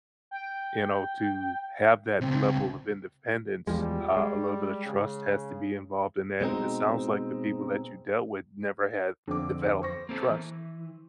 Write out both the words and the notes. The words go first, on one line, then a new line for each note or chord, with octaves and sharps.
you know, to have that level of independence, uh, a little bit of trust has to be involved in that, and it sounds like the people that you dealt with never have developed trust.
G5
C#2 C3 C4
E2 F3 G3 G#3
G#3
C#3
B2 G#3 C4 D#4
F2 D3 C4 D6
C5 C#6 A#6
A#3 C4 A4
E3